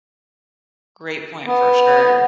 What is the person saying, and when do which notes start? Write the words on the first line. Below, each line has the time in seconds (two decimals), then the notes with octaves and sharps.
great point for sure.
1.44 B3